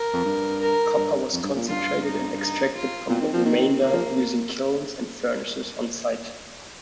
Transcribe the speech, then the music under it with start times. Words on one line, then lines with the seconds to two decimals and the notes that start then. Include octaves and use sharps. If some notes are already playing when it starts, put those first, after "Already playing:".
Copper was concentrated and extracted from the remainder using kilns and furnaces on site.
Already playing: A#4
0.13 F2
0.25 G2
0.61 A#4
0.97 G2
1.32 F2
1.44 G2
1.56 A#2
1.67 G2 F4
2.04 D#4
2.39 D#4
2.74 F4
3.09 A#2 C4
3.21 D#3
3.33 F3
3.45 D#3
3.81 C3 A#3
3.93 F3